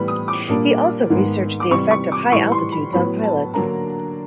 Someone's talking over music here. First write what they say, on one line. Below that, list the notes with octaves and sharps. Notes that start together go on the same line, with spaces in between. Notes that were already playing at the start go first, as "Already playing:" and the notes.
He also researched the effect of high altitudes on pilots.
Already playing: A2 E3 G3 B3 B5
D#6
D6
A#2 G3 A#3 D4
G#2 D#3 G#3 B3
D6
C3 E3 G3 C#6
C#6
D6
A2 E3 G3 C#6
C6
B5
A2 F#3 B3 B5
A5
D3 F#3 A#3 D4 A#5